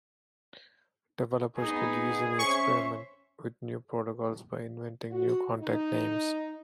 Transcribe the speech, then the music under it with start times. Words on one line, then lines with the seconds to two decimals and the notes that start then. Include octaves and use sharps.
Developers could easily experiment with new protocols by inventing new contact names.
1.58 B3 D#4 G#4
2.39 C#4 C5 E5 C#6
5.11 F#4
5.59 D#4